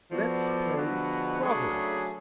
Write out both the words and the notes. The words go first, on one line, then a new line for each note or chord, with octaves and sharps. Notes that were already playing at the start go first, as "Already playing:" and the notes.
"Let's play proverbs."
F3 B3 F#4 A4 D5
D3 F3 G#3 B3 F#4
C#3 F#3 A3 D4 G#4